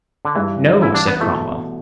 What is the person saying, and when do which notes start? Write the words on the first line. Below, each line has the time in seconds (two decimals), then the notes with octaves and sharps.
"No," said Cromwell.
0.25 D3
0.35 G2 E3
0.78 A1 E4
0.94 D4
1.08 B3
1.21 B2 A3